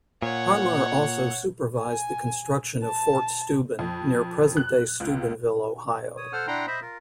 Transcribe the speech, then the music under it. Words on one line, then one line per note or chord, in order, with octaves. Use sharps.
Harmar also supervised the construction of Fort Steuben near present-day Steubenville, Ohio.
A#2 C#5 F#5
G#5
A5
F2
F#6
C#2
C#5 D#6
A4 C5 F#5 F6
D4 E4 F#5 G5 A#5 C6
C5 D#5 E5 B5
F4 A#4